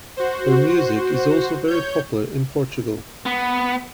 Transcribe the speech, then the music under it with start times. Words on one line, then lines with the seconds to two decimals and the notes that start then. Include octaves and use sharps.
Her music is also very popular in Portugal.
0.17 F#4 C5
1.67 C#5 G6
3.26 B3